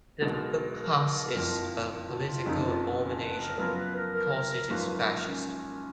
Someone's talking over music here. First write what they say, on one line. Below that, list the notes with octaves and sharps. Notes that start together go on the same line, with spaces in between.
The middle class is a political abomination, because it is fascist.
B1 B2 G#3 A#4
A#4
F#1 F2 F3
F#4
F4
F#1 F2 C#3 D#4
F4
C#4
B4
A#4
F#2 F3 B3 A#4
B4
A#4
A#4
A#4
A#4
G#1 F#2 F3 A#3 B4
A#4
C#4